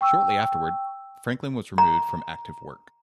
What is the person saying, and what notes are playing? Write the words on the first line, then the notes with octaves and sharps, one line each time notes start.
Shortly afterward, Franklin was removed from active work.
G5 C#6 E6
A#5